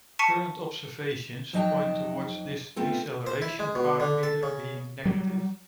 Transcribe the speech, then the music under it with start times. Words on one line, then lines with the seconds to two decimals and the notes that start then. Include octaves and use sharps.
Current observations point towards this deceleration parameter being negative.
0.19 A5 C#6 B6 C#7 D#7
1.53 F2 F#3 D#4 D#5 G5 A5
2.76 A3 B3 C4 F4 A4
3.27 C5
3.42 E4
3.59 G#3
3.75 B2
4.00 D3
4.23 A4
4.43 C#3
5.05 F#3 G3